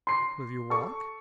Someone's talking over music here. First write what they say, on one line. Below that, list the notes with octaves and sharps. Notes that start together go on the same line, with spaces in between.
"Will you walk?"
C6 C7
A4 C#6